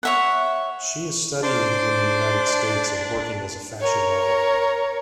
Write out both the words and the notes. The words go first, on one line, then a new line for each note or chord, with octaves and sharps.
She is studying in the United States and working as a fashion model.
C#5 E5 F#5
D4 C5 C6 D6
A#4 C#5